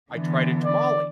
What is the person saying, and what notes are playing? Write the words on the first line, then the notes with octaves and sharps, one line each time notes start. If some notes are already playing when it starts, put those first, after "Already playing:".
I tried a tamale,
D3 E3 B3
D5